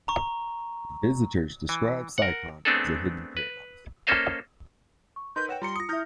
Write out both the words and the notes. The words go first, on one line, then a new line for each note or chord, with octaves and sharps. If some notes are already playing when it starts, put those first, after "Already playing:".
Visitors describe Siocon as a "hidden paradise".
A#5 C#6
E3
A#4 F#5
A3 B3 C4 D4 G#4 A4
B4
A#3 C#4 A4 C5 D#5 F5
C#6
D#4 A#4 B4 C6 G6
B4 C#5 F#5 G5 A#6 E7
G3 F4 A#5 C6 C#7
F4 D#6 A#6 C#7
E4 E5 D#6 F6 G6 A#6